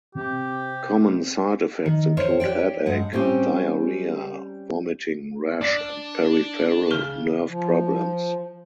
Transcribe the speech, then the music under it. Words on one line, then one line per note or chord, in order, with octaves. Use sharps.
Common side effects include headache, diarrhea, vomiting, rash, and peripheral nerve problems.
C3 G4
D#3
A#4 C5 C#5
G4 C#5 D5 G5
G2 G#3 F#5
G3 C4 C#4 G4
D4 D5
C#3 F6 G7
F3